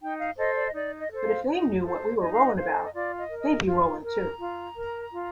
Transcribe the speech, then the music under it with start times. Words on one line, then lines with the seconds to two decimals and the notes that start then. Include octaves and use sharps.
But if they knew what we were rollin' about, they'd be rollin' too.
0.01 D#4 G5
0.19 F5
0.37 A4 C5 D#5
0.56 D5
0.65 D#5
0.74 D#4 D5
0.98 D#5
1.11 A4 C5
1.23 F5
1.47 D#4
1.83 A4 C5 A5
2.20 D#4 D#5
2.32 F5
2.46 D#5
2.56 A4 C5 F5
2.72 D#5
2.83 D#5
2.93 F4 D5
3.18 D#5
3.29 A#4
3.41 D#5
3.66 F4
4.03 A#4
4.15 A#5
4.39 F4
4.76 A#4
5.12 F4